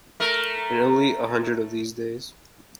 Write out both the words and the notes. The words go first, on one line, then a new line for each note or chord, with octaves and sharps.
In Italy, A hundred of these days!
A3 A#4